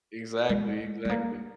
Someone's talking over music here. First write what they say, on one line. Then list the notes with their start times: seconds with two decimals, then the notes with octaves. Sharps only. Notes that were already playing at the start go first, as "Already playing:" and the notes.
Exactly exactly,
0.49 G#3
1.05 G#3
1.09 A#3